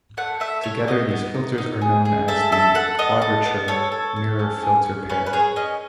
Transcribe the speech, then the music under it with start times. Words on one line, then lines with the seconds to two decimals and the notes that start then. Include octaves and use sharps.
Together these filters are known as the Quadrature Mirror Filter pair.
0.17 A3 F#5
0.40 A3 E5
0.63 A3 C#5
0.87 B3 D#5
1.11 B3
1.34 D#4
1.58 D#4
1.82 G#4
2.05 G#4
2.28 A4 E5
2.52 A4 E5
2.75 A4 F#5
2.99 B3 D#5
3.22 A4
3.46 B3
3.68 A4 C#5
3.92 A4
4.16 A4
4.39 C#4
4.62 G#4
4.86 C#4
5.09 C#4 B4
5.26 B4
5.33 G#4 C#5
5.56 C#4 D#5